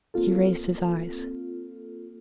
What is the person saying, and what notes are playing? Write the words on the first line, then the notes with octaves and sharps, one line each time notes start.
He raised his eyes.
A#3 C4 F4 A4